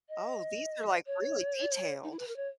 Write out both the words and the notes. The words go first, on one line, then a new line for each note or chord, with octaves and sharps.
Oh, these are like really detailed.
D#5
C#5
D#4
E4
B4
A#4
C#5